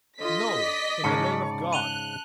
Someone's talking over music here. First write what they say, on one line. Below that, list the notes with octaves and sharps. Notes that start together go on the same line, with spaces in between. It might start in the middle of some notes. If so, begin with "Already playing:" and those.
No, in the name of God!
D3 F4 D#5 B6
D5
G#2 C#3 G#3 A5 C#7
F#6 D#7 F7 G7